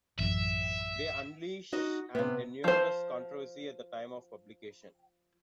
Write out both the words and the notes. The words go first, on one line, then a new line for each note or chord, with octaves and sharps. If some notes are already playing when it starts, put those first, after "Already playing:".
They unleashed an enormous controversy at the time of publication.
A1 F#2 E5
D#4 F#4 D#5
C3 B3
F3 C5